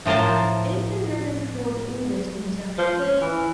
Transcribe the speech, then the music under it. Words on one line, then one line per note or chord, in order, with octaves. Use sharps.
Often this is called orbit injection.
A2 F3 A#4 C5 A5
F3
C#4
E3